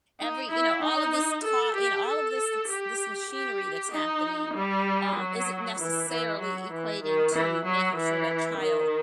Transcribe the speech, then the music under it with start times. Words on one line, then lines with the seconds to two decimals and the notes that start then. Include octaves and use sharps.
Every you know, all of this taught you know, all of this this machinery that's happening, um, isn't necessarily equating to making sure that child
0.21 D#4
0.51 E4
0.82 D#4
1.44 A4
1.75 G4
2.06 A4
2.68 G4
3.30 G4
3.92 D#4
4.54 G3
5.16 F#3
5.79 E3
6.09 E3
6.40 F#3
6.71 E3
7.02 D#3
7.33 E3
7.65 F#3
7.96 E3
8.58 D#3